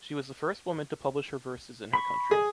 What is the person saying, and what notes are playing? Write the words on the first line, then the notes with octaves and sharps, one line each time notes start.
She was the first woman to publish her verses in her country.
B5 C#6
G#4